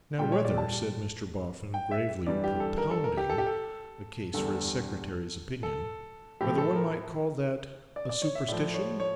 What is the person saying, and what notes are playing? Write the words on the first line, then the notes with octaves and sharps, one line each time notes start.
'Now, whether,' said Mr Boffin, gravely propounding a case for his Secretary's opinion; 'whether one might call that a superstition?'
A#2 G3 G5
C#5
D5
A5
G5
E5
G2 E3 G3 D5
G4
A4
A#4
A4
A#4
G4
A4
G4
A4
E2 D3 G3 A4
A4
A2 F3 G4
A4
A#4
D5
D5
C#5
E5
A2 F3 D5
C#5
C#5